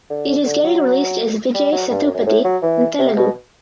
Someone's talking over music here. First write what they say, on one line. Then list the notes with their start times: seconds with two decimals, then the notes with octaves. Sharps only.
It is getting released as "Vijay Sethupathi" in Telugu.
0.10 D3
0.46 D3
0.64 F#3
1.55 G3
1.72 F#3
1.91 G2
2.02 F#2
2.14 F#2
2.26 A2
2.44 F#3
2.62 E3
2.99 C3
3.17 B2